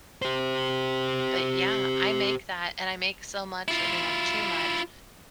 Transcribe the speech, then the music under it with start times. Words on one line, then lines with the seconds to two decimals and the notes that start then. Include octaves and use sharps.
But, yeah, I make that, and I make so much that we have too much.
0.22 G4 C5
3.68 E4 F4